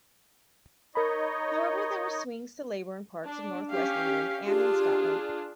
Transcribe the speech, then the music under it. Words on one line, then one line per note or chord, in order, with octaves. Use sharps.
However there were swings to Labour in parts of north-west England, and in Scotland.
D#4 A#4 C#5 D#5 B5
D4
C#4 G4 F5
D4 F4 G4 G#4